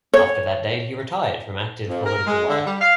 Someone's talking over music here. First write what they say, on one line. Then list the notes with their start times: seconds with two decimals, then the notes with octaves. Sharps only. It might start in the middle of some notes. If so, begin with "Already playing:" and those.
After that date he retired from active political life.
0.14 C#5
1.87 F2
2.05 A#4
2.27 G#3
2.48 D3
2.66 G3
2.80 F5